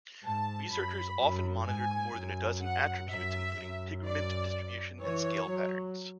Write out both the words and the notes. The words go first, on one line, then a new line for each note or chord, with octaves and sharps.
Researchers often monitored more than a dozen attributes, including pigment distribution and scale patterns.
G#2 A5
F#2 B5
F#2
G#2 G#5
F#2
F#5
F#2 E5
F#2
D5
E3 C#5
F#3